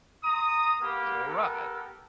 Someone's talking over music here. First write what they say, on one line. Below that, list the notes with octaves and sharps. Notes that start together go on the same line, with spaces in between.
It'll rot
A#5 C6 D#6
A#3 B3 G4 A#4 B5
B3 G4 A4 A#4